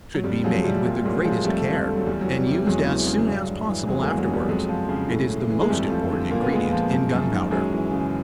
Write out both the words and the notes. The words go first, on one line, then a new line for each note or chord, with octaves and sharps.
It should be made with the greatest care, and used as soon as possible afterwards: it is the most important ingredient in gunpowder.
F#3
F2 G3
F3 F#3 G#3
C3 G3
A#2 G3
G3
A#2 F#3 G#3
F3 F#3 G#3
F2 G3 A3
F3
D3
F#3
E2 G3
F#3
E3
G3
C3
G3
E2 F#3 G#3
E3
C#3
G2
G2
E3
E2 F#3 G#3
G#3 A#3
E2
F#3 G#3
B2
G3
F2 F#3 G#3
F3
C#3
A2
A2
E3
G#3
F2 G3 A3
F3
D3
A#2 A#3
B3
A#2 G#3 A#3
F3
F#2
F#2
D#3
F#2 F#3 G#3
E3
C#3